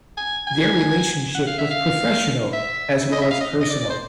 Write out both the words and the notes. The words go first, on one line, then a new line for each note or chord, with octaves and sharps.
Their relationship was professional as well as personal.
G#5
G#5
F#5
F5
E5
F5
E5
D#5
E5
F5
D#5
D#5
D5
D5
C5